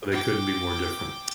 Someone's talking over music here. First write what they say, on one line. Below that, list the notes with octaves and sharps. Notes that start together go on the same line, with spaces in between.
They couldn't be more different.
G5 D6